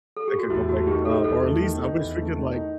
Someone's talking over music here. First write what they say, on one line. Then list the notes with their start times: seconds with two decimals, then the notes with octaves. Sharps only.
I could go back in time, or at least I wish we could, like
0.17 A4
0.28 G4
0.39 F#4
0.50 E2 E4
0.69 A3 F#4
0.87 D#3 G4
1.05 D#4 A4
1.24 E2 A4
1.42 A3
1.61 D#3
1.79 D#4
1.98 E2
2.16 A3
2.35 D#3
2.53 D#4